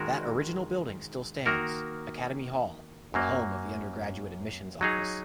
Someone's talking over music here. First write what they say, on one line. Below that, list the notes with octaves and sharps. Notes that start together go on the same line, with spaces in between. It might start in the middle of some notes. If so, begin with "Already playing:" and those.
That original building still stands-Academy Hall-the home of the undergraduate admissions office.
Already playing: D#3 G#3 F#4 A#4
D#3 A#3 F#4 A#4
F#2 F#3 A#3
F#3 D#4 G#4 C#5